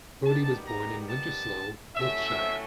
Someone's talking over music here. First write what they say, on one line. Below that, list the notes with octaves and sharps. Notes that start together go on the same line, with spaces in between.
Brodie was born in Winterslow, Wiltshire.
D#3 G3 B3 A5
A#5
A5
A2 F#3 A3 C#4 E5